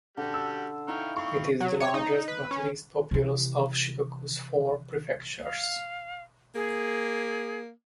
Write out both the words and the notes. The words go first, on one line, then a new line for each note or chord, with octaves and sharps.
It is the largest but least populous of Shikoku's four prefectures.
D3 G3 D4 F#4 G4
E6
D#4 E4 F5 G5 C#6 F6
C4 F4 C#6
F#3
C#5
D#4
B4
C#4
C3 E3
F5
A#3 G#4